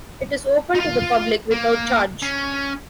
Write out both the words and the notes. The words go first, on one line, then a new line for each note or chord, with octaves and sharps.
It is open to the public without charge.
D#4
F4
A#3
C#4